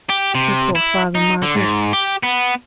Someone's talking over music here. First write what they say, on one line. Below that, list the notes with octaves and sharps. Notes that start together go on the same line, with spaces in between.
Your poor father, Margaret.
G4
C3
E4
D#4
D3
G#2
G4
B3